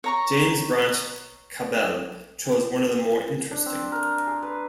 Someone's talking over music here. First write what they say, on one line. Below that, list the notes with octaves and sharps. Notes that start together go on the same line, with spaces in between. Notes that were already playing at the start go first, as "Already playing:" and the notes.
James Branch Cabell chose one of the more interesting.
C#5 A#5 C#6
D4
C4
A#4
G#4
B4